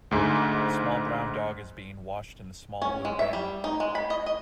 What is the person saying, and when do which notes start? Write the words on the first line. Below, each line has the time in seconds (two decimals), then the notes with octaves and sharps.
A small brown dog is being washed in a small blue bin.
0.11 D2 G#2
2.82 C#4
3.05 G#3
3.19 E5
3.33 G3
3.64 D#4
3.80 G#3
3.95 B5
4.10 D#5
4.26 D#5